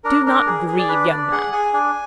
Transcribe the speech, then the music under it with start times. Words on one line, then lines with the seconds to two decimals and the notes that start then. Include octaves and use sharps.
'Do not grieve, young man!
0.04 D4 A#4
0.26 D4 A#4
0.47 G#4
0.68 G#4
0.79 D5
0.89 D4 B4
1.10 D4 D5
1.32 G#4 F#5
1.52 G#4 G#5
1.74 D4 G#5